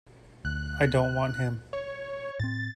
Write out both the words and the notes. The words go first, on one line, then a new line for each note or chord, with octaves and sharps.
I don't want him.
D2 F#6
C#5
A2 C4 A6